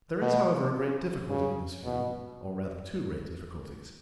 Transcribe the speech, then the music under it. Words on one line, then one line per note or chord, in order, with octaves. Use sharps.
There is, however, a great difficulty in this view, or rather two great difficulties.
B2
C#3
C#3
B2